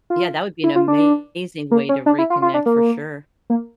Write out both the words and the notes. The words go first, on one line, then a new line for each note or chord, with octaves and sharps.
Yeah, that would be an amazing way to reconnect, for sure.
F4
E4
F4
D4
A#3
C#4
D4
E4
F4
F4
D4
A#3
A#3